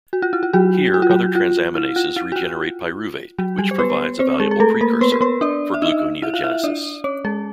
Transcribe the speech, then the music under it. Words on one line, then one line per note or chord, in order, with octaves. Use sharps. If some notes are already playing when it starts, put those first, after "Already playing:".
Here other transaminases regenerate pyruvate, which provides a valuable precursor for gluconeogenesis.
F#4
F4
E4
F4
F#3 F#4
F#4
F4
F#3 F#4
F4
E4
F4
E4
F#4
F4
F#3 F#4
G3 G4
C5
B3 B4
C4 C5
G#3 G#4
G#4
A3 A4
A#3 A#4
B3 B4
A#4
B3 B4
D4 D5
E5
D#4 D#5
E4 E5
F4 F5
E4 E5
D4 D5
C#4 C#5
G#3 G#4